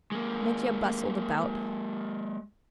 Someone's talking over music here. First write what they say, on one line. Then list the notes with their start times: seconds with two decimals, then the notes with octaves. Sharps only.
Mitya bustled about.
0.12 G#3 A#3